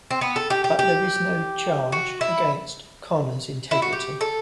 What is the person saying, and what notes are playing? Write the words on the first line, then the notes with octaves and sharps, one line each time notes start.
But there is no charge against Connor's integrity...
C4
B3
A4
G4
G4
G4
F#4
E4
E4
F#4
G4
A4